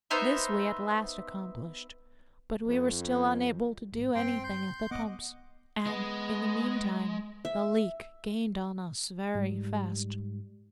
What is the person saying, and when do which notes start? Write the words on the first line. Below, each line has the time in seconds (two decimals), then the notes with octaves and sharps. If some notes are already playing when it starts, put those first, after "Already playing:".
This we at last accomplished--but we were still unable to do any thing at the pumps; and, in the meantime, the leak gained on us very fast.
0.11 B3 D#4 C5 E5
2.68 F2
3.92 A1 G#2
4.15 G2 C4 G5 C6
4.44 C6 G6
4.91 G#1 B3 D#5 F#5 D6
5.87 G#3 B3 D#5
7.45 E5
9.35 G#2 G3